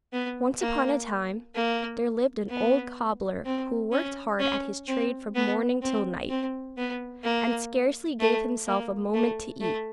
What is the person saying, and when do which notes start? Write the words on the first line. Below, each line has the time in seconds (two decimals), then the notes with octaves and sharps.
Once upon a time there lived an old cobbler who worked hard at his trade from morning till night, and scarcely gave himself a moment to eat.
0.13 B3
0.60 A#3
1.55 A#3
2.49 B3
3.45 C4
3.92 C#4
4.40 C#4
4.87 C4
5.35 B3
5.82 C4
6.29 C4
6.77 B3
7.24 A#3
8.20 A3
8.67 A#3
9.14 A3
9.61 A3